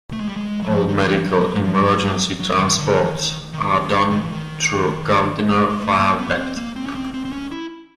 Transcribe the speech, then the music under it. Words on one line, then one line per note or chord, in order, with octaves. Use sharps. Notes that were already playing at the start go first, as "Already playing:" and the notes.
All medical emergency transports are done through Gardiner Fire Dept.
A3
G#3
G3
G#3
F#3
F3
D#3
E3
F#3
F3
F#3
F3
G3
F#3
F#3
D#3
D3
D3
D#3
D#3
D#3
E3
D#3
G#3
A3
A#3
B3
C4
A#3
C4
C#4
C4
C4
C4
C#4
E4